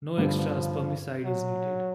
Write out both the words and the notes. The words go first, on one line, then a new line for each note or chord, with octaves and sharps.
No extra spermicide is needed.
G2 D3 F3 G3 B3
F#3